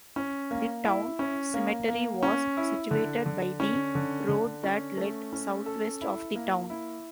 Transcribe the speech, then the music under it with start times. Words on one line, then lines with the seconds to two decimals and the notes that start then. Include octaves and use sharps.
The town cemetery was situated by the road that led southwest of the town.
0.16 C#4
0.51 A#3
0.84 E4
1.19 C#4
1.54 A#3
1.88 A#3
2.23 C#4
2.57 E4
2.91 D3
3.26 D3
3.60 C#4
3.95 D3
4.29 D3
4.64 C#4
4.97 A3
5.33 C#4
5.66 A4
6.01 E4
6.35 A#3
6.70 E4